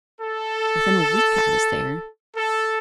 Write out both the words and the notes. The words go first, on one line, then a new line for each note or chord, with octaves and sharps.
Within a week I was there.
A4
A4